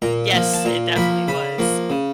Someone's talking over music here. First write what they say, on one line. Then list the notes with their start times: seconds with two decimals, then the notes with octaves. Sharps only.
Yes, it definitely was.
0.02 A#2 A#5
0.33 F3 A#3
0.54 A5
0.65 A#2 A#5
0.96 F3 A#3 B5
1.28 C#3 B5
1.58 F3 A#3
1.90 C#3